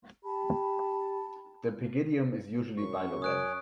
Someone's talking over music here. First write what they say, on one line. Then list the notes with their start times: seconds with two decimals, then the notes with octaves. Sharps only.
The pygidium is usually bilobed.
0.25 G4 A5 B5
2.78 F#2 C#6
3.22 C#4 C#5 D#6 F#6 D7